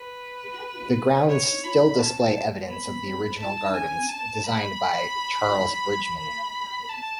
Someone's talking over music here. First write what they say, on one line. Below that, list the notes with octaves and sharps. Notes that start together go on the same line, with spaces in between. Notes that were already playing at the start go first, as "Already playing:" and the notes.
The grounds still display evidence of the original gardens, designed by Charles Bridgeman.
Already playing: B4
C#5
B5
A5
B5
A5
G#5
A5
B5
B5
A5